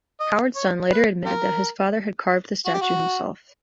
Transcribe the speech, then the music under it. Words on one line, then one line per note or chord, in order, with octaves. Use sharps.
Howard's son later admitted that his father had carved the statue himself.
D#5
C#5
B4
F4 G4 A#4
F#4
G4
F#4